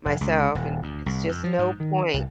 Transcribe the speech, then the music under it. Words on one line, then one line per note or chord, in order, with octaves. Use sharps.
myself, and it's just no point.
F1
C#2
D#1
D2
C2
F2
F3
G#2
D#3
C2